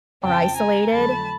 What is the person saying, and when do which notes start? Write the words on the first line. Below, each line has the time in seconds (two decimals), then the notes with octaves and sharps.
are isolated
0.23 F2 C#3 F3 G5 A5
0.57 G#5 A#5
0.91 F2 D3 F#3 A3 A5 B5